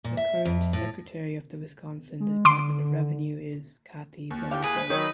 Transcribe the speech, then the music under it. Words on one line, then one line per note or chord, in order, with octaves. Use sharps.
The current Secretary of the Wisconsin Department of Revenue is Kathy Blumenfeld.
A#2
E5
F2
A2
G#3
D3 C6 D6 D7
D#2
E3 G4 E5 F5
G#4 B4
C5
D#3 F#3 D#4 C#5